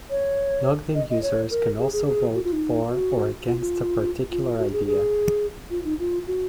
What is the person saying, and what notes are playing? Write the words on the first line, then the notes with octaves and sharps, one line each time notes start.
Logged in users can also vote "for" or "against" a particular idea.
C#5
D#5
D#5
C#5
A#4
G#4
G#4
G#4
F#4
F4
D#4
F#4
F4
F4
F4
F#4
G#4
G#4
F4
D#4
F4
F#4